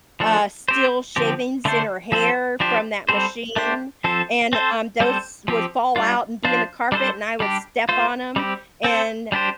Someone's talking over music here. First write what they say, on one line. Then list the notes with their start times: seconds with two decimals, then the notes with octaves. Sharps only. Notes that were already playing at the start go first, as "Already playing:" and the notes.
uh, steel shavings in her hair from that machine, and, um, those would fall out and be in the carpet, and I would step on 'em, and, n
0.20 F3 A3 D4 A4
0.68 C4 G4 C5
1.16 D3 F3 C4 G4
1.65 D3 A3 D4 A4 C5
2.12 F3 C4 A4 C5
2.60 F3 D4 G4 C5
3.09 G3 C4 A4 C5
3.56 A3 D4 G4 C5
4.04 F3 C4 A4 C5
4.53 C4 A4 C5
5.00 G3 C4 A4 C5
5.48 F3 C4 G4
5.96 G3 D4 F4
6.45 F3 D4 F4 C5
6.92 G3 D4 A4 C5
7.40 G3 D4 G4
7.89 A3 F4 C5
8.36 G3 C4 G4
8.84 C4 A4 C5
9.32 G3 D4 G4 C5